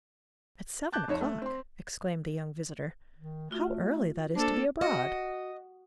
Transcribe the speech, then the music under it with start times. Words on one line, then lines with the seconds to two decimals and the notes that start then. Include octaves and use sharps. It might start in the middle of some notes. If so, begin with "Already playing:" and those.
'At seven o'clock!' exclaimed the young visitor; 'how early that is to be abroad!
0.92 A5 D6 F#6 G6
1.08 F2 D#4 C#5 E7
1.21 A3
1.42 C4 C6
3.18 D#3
3.51 A3 F4 F#4
4.35 A#3 D4 A4 C5
4.81 F#4 D#5